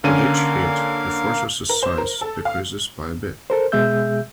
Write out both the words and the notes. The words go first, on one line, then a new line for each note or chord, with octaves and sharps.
With each hit the fortress' size decreases by a bit.
D3 A#3 C#4 A#4 F5 D#7
A#4
C5
A#4
A4
F5
A4 A#4 C5
B2 G#3 G#4 E5 E6 G6